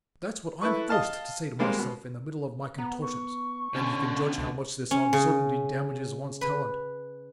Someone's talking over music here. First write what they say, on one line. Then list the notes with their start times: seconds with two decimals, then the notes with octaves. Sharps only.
That's what I'm forced to say to myself in the middle of my contortions, and you can judge how much this uncertainty damages one's talent.
0.61 E4 A4 B4 C#6
0.89 D#5 F5 A5 F6
1.59 G3 G#3 A#3 C4
1.78 B2
2.78 B3 A#5
3.02 C#6
3.75 B2 D3 C#4
4.38 C#2
4.91 C#4
5.13 C#3
6.41 B4